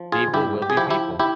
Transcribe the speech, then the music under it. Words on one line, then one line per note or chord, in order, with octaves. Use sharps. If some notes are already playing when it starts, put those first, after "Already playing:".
People will be people."
Already playing: F3
F4 G#4
G2 E4 G4
G4
G#4
F3 E4 G4
E4 G4
E4 G4